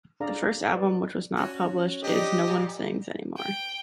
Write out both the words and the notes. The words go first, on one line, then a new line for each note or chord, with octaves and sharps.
The first album, which was not published, is: “Nobody Sings Anymore”.
D4 G#4 D5 F5 A#5
B4 D5
C#4 F#4
D4 D#4 G4 D#5
A#2
G5